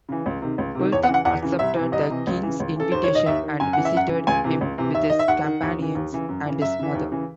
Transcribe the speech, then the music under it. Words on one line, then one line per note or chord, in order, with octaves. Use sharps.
Kulthum accepted the king's invitation and visited him with his companions and his mother.
C#3 E3
C#2
C3 D#3
C#2
C3 D#3
E2 C#5
F#5
C#3 E3
F#5
E2 F#5
C#3 E3
C2 E5
C3 E3
C2 D#5
C3 E3
C#2
C#3 E3
C#2
C#3 E3 A4
D#2 C5
C#5
D#3
D#5
D#2 E5
D#3
F#2 G#5
C#3 E3 F#5
E5
F#2 F#5
C#3 E3
C#2 G#5
C3 E3
C#2
C3 E3
D#2 E5
D#3 D#5
E5
D#2 F#5
D#3
D#2
C#3 E3
D#2
C#3 E3
F#2
C#3 E3
F#2 E5
C#3 E3
D#2
C#3 E3